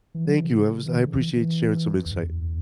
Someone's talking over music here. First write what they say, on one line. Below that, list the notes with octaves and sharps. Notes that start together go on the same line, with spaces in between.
Thank you, it was I appreciate sharing some insight.
E3
F#3
E3
C#3
E3
D3
C#3
E3
E3
E2
G#2
F#2
E2